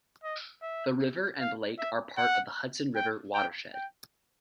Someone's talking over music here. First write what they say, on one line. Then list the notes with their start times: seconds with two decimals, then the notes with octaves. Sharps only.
The river and lake are part of the Hudson River watershed.
0.23 D#5
0.62 E5
1.40 F5
1.78 E5
2.17 F#5
2.96 G5
3.34 G5
3.74 G5